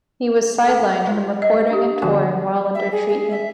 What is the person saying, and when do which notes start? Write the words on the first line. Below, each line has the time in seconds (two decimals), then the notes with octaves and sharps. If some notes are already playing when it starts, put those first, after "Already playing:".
He was sidelined from recording and touring while under treatment.
0.65 B3 A4 F#5 A5
1.07 G#3 F4
1.42 D#5
1.70 D4 G4
2.02 D3 F3 B3 F#4 G#5 A5
2.75 E5
2.92 G#4
3.09 G#4
3.31 E5